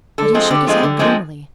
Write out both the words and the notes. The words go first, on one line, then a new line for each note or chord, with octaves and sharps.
But he shook his head gloomily.
D3 A4
F3 G#3 C4
D3 G4
F3 G#3 C4
D3
F3 G#3 C4